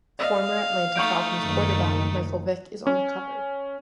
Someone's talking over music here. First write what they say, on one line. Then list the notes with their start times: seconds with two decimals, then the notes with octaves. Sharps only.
Former Atlanta Falcons quarterback Michael Vick is on the cover.
0.19 D5 D#5 F5
0.96 A3 D#4 C#6 G6 D7
1.40 F#1 D#3
2.87 C#4